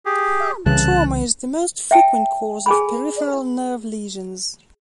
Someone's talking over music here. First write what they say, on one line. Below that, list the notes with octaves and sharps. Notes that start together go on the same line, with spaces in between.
Trauma is the most frequent cause of peripheral nerve lesions.
G4 G#4
C2 C#3 E3 A5 F#6
E5 G5 A5
G#4 G#5 B5